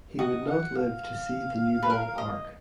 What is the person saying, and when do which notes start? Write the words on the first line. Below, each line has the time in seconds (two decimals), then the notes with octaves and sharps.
He would not live to see the new ballpark.
0.19 F#4 D#5
0.47 F#5
0.76 F5
1.83 B4
1.90 A#4
2.18 D#5